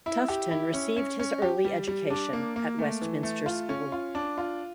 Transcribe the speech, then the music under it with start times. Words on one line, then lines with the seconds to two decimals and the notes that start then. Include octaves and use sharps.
Tufton received his early education at Westminster School.
0.06 E4
0.28 G4
0.51 E4
0.74 C#4
0.96 C#4
1.19 C#4
1.42 G4
1.65 G3
1.88 G3
2.10 D4
2.33 A#3
2.56 A#3
2.79 A3
3.02 E3
3.23 A3
3.46 F4
3.69 C#4
3.92 F4
4.15 D4
4.38 F4